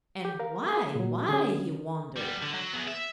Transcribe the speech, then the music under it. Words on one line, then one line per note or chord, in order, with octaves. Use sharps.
"And why--why?" he wondered.
G4
A#4 F5
A#2 F#3
D3 C#4
G3 B3
D3
F#3
B3 G#4
E5